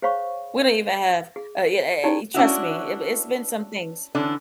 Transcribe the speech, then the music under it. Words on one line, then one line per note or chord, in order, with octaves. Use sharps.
don't even have Uh, yeah, eh eh, e trust me. It wa It's been some things.
G#4 C5 C#5 F5 B5 C#6
G#4
C#4 D#4 E4 G4 G#4 D5
C#4 D4 E4 F#4
D3 E3 C#4 D4